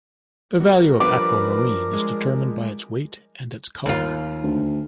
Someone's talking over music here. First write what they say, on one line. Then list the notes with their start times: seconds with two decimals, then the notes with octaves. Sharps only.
The value of aquamarine is determined by its weight and its color.
0.60 G3 F#4 A#4
1.00 F3 G3 D4 B4 D6
1.93 G#3
3.86 D#2 F4
4.43 D2